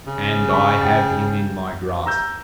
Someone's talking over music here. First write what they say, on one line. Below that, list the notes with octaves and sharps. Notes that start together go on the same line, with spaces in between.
And I have him in my grasp!
C#3
B5 C#6
G5 A6
A#5 E6 G6